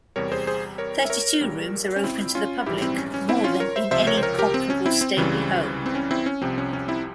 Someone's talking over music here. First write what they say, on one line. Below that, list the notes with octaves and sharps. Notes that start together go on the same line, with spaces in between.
Thirty-two rooms are open to the public, more than in any comparable stately home.
E2 C3 G3 A#4 C#5
G#4 C5
G#4 C5
A#4 C#5
E5
A#4 C#5
A#1 A#2 G3
C#4
C4 E4
C#4 F4
A#1 G#2 E3 G3 E4 G4
C4 E4
C#4
C#4
C4 E4
C#4 F4
A#4 C#5
C5 E5
C#2 C3 F3 C5 E5
A#4 C#5
C5
A#4 C#5
G4 A#4
C4
C#4
C4 E4
C4
C#2 C#3 E3 G3
C4
C#4
C4 E4
C#4
C2 C3 F3 C4
C#4
C#4
C4 E4